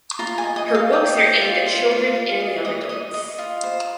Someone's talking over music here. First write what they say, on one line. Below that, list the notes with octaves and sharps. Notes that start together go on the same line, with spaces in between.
Her books are aimed at children and young adults.
F4 A#5
G#5
D#5
D#5
D#5
F5
D#5 G5
D#5
F4
F4
F4
F4
D#5
D#5
D#5
D#5
F4
C5